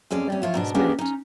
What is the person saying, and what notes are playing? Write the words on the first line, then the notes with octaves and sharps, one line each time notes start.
Their eyes met.
F2 G#3 C#4 D5
C3 C#4
E4 F4 C#5
G#2 B2 D4
A#3 B3 C#4 D4 G4 G#4
C#4 D#4